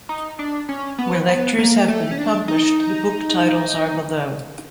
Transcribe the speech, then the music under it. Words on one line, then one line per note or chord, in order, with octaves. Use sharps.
Where lectures have been published the book titles are below.
D#4
D4
C#4
B3
B3
A#3
A3
C#4
D4
D#4